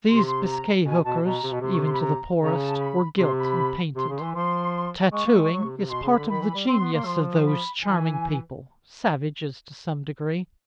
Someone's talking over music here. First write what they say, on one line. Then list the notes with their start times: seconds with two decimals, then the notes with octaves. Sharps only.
These Biscay hookers, even to the poorest, were gilt and painted. Tattooing is part of the genius of those charming people, savages to some degree.
0.08 C3 C6
0.27 C6
0.47 A#5
0.85 B2 G#5
1.05 B2 A5
1.24 B2 A#5
1.43 C3
1.52 B2
1.61 C3 C6
1.73 C#6
1.83 C6
1.92 B5
2.02 A#5
2.41 C#3 A#5
2.60 A5
2.79 B5
3.18 C3 C6
3.38 B5
3.95 C3 C6
4.09 C#3
4.16 C6
4.21 E3
4.35 F3 C6
5.12 G#3 C#6
5.25 A#3
5.34 A3
5.37 G#3
5.51 F#3
5.64 C3
5.77 C3
5.89 B2 C6
6.02 C#3
6.09 B5
6.16 D3
6.29 D#3 B5
6.41 E3
6.54 G3
6.67 C4 C6
6.80 B3
6.93 A#3
7.05 F3
7.37 C6
7.45 B5
7.83 E3 G#5